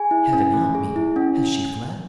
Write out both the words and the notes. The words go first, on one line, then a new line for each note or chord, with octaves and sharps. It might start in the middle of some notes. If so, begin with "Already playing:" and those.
Heaven help me! has she fled?
Already playing: G#4 G#5
E4
C#4
A3
G#4
E4
C#4